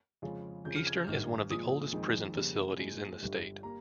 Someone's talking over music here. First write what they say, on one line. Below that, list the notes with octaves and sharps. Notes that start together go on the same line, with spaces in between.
Eastern is one of the oldest prison facilities in the state.
F2 C#3 G#3 C#4 F4
F2 C#3 F3 G6
F6
G#6
G6
G#1 G2 D#3 F6
A#2 F3 G#3 D#6
F2 D#3 G#3 D#4
F2 C#3 G3 A#3
A#2 G#3 D#4
G1 G2 G3
G3 A#3 A#5